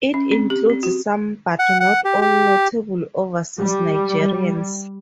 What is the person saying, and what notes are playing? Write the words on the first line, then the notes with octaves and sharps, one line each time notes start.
It includes some but not all notable overseas Nigerians.
C#4
C4
G4
C4
F#4
F#5
F#5
G4
G4
G3